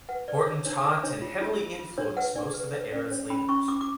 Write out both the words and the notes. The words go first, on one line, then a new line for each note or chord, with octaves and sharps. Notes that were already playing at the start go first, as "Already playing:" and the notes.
Horton taught and heavily influenced most of the era's leaders.
B4 F#5
B4 D5
C#5
D4 D5
D4 C#5
D4 D5
D4 C#5
F4
F4
F4
F4
D4 C#5
B4 F#5
D4 D5
B4
B4 F5
C#4 D5
C#4 C#5
C#4 B5
C#4 C#6
C#4 D6
D6